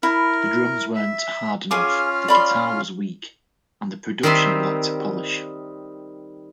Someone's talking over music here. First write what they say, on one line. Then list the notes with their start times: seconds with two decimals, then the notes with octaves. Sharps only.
The drums weren't hard enough, the guitar was weak, and the production lacked polish.
0.03 E4 A#4
0.96 E5
1.71 C#4 F4 G#4 F5 G#5 D6
2.28 D5 B5 C6
4.23 D#3 G3 C4 D#4 E5 C6